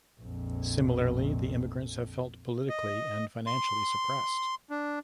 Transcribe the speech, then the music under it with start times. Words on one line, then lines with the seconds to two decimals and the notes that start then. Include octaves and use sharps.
Similarly, the immigrants have felt politically and financially suppressed.
0.20 A#1 F2
2.69 D#5
3.47 C6
4.70 D4